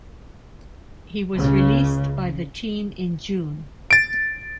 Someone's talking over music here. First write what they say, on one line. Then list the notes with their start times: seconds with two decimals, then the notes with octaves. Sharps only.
He was released by the team in June.
1.34 C#2 C#3
3.91 A6 D7